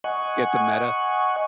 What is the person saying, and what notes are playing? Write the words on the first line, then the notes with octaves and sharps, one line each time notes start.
Get the Meta.
D#5 F#5 G#5 C#6